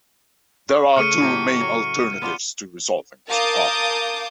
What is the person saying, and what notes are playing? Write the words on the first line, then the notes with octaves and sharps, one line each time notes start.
There are two main alternatives to resolving this problem.
C#6
C#3 A3 F6 C#7 D#7
A2 F#3 G4
F#3
B3 D4 F4 C6
A#4 F5 A5 D6 D#6 G6